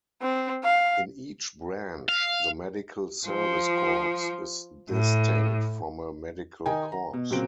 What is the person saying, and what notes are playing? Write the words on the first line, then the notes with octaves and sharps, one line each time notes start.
In each branch, the Medical Service Corps is distinct from a medical corps.
C4
F5
F5
F3
A2
D#3 D#4 G5 G#5
A#5
B2
A#2 C#3 F#3 C4 D7